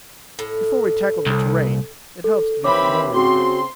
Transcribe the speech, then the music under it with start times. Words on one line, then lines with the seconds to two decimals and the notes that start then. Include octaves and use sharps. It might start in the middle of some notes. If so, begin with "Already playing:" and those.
"Before we tackle the terrain, it helps to be familiar with it."
0.39 A2
1.26 C2
2.24 A4
2.64 D#2 E3 C4 C#5 B5 D6
3.13 C#3 C4 F#4 C6